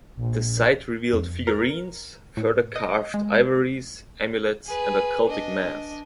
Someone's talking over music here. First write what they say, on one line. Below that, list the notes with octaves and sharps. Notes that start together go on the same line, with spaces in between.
The site revealed figurines, further carved ivories, amulets and a cultic mask.
A#1
F2
A#4
A2
D#5
G#3
G#4 B4
D4 D#5